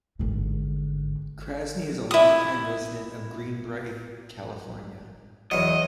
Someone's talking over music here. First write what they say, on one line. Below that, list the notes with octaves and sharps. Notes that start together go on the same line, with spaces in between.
Krasny is a long-time resident of Greenbrae, California.
G#1 D3
E4 D#6
E2 F#3 D#5